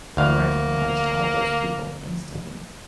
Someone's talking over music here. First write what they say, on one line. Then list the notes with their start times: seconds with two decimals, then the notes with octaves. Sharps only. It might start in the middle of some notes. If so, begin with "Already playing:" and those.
He recognized all those people instantly.
0.17 D2 A#3 F5